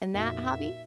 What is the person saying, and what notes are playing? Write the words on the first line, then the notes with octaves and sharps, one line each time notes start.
in that hobby.
F2 A#2 A#3 D#4 F#4 E5